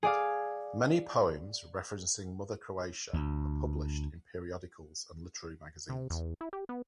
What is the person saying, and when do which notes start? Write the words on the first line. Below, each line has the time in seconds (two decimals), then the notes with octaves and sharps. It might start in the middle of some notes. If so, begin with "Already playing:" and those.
Many poems referencing Mother Croatia were published in periodicals and literary magazines.
0.03 G#4 D5 F5
3.13 D2
5.89 C3
6.10 E2
6.41 E4
6.53 G4
6.69 B3